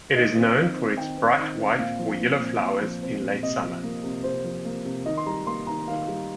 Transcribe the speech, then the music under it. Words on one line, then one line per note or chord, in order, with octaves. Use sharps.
It is known for its bright white or yellow flowers in late summer.
D#3 D#5
C4
D#3
C4
D#3 G5
C4
D#3
C4
A#2 F5
F3
C4
A#2
A#2
F3
C4
A#2
C3 D#5
F3
A#3
C3
C3 C5
F3
A#3
C3
D#3 D#5
C6
G3 A#5
A#3 C6
D#3 A#5
D#3 F5
G3